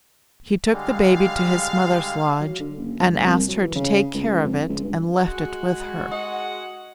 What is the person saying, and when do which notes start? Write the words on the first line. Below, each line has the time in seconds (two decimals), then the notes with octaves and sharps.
He took the baby to his mother's lodge and asked her to take care of it and left it with her.
0.72 D3 G3 G#3 F5
2.41 F#3
2.60 D3
2.78 F#1
2.99 G1
3.24 C2
3.48 F#3
3.62 E3
3.75 C#3
4.14 C#2
4.44 F2
4.69 C#2
4.84 G2
5.25 G#3 F#4
6.11 D#5 F#5